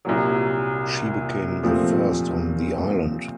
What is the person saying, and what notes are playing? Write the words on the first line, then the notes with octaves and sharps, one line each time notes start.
She became the first on the island.
C2 A#2 F#3
A#2 F3 A3 C4